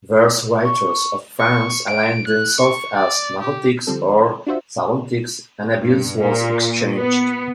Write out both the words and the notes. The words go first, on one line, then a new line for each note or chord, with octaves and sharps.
Verse-writers of France aligned themselves as "Marotiques" or "Sagontiques", and abuse was exchanged.
C#6
C#6
D7
F#6
C#6
D5
G4
D3 F3 G3 C4 A4
D4 F4 F#4 C5 E5
G2
A#2
B3